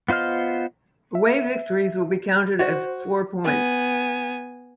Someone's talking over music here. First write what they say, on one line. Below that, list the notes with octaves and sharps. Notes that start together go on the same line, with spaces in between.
Away victories will be counted as four points.
B3 F4 C5 D#5 F6
E5
F#4 C5
B3 G#5